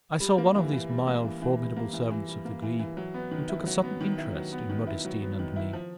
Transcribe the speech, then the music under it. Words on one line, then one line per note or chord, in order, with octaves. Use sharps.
I saw one of these mild formidable servants of the glebe, who took a sudden interest in Modestine and me.
G3
A#3
E3
E3
G3
A#3
E3
E3
G3
A#3
E3
E3
G3
A#3
E3
E3
F#3
B3
D#3
E4
F#3
B3
D#3
E4
F#3
B3
D#3
E4
F#3
B3
D#3
E4
F3